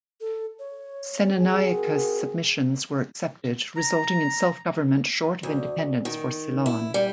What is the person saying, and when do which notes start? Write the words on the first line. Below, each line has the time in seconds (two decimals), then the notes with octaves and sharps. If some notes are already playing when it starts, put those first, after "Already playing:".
Senanayake's submissions were accepted, resulting in self-government short of independence for Ceylon.
0.21 A4
0.59 C#5
1.37 C4 F#4 G#4
1.76 A#4
3.76 A#5
5.43 D2
6.05 D#3
6.66 E4
6.94 G3